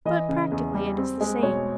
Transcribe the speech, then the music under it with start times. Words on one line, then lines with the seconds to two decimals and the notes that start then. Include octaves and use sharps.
But practically it is the same.
0.05 E3 D#5
0.29 C#3
0.51 E2
0.74 G3
0.97 C4
1.21 G#3
1.43 B2 C#5